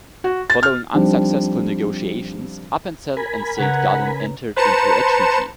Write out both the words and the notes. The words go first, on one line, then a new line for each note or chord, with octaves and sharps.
Following unsuccessful negotiations Appenzell and Saint Gallen entered into a treaty.
F#4
A6
F6
F3 G3 C4 D4 D#4
A#4 G#5 B5
C#3 B4 F#5 A#5
B4 C5 A5 A#5 C#7 E7